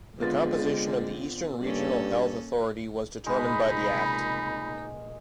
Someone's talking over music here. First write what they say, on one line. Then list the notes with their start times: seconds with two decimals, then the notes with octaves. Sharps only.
The composition of the Eastern Regional Health Authority was determined by the act.
0.20 D3 G#3 B3 C4 F4 A6
1.61 G2 A#3 C#4 A4
3.27 F1 C#2 A#2 G#3 D#4 B5